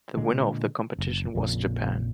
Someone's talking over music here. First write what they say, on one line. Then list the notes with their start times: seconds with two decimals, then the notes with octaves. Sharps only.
The winner of the competition was Japan.
0.17 A#2 D3 G#3
0.99 F#1
1.35 A#1 F2 A#2 C#3